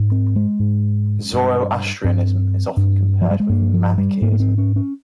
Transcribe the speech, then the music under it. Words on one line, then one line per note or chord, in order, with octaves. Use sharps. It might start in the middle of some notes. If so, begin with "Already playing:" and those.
Zoroastrianism is often compared with the Manichaeism.
Already playing: G#2
C4
G#3
G#2
G2
G2 C4
G2
F3
G3
G#3
G2 A#3
F3
G3
G#2 A#3
A#3
C4
C#4
C#4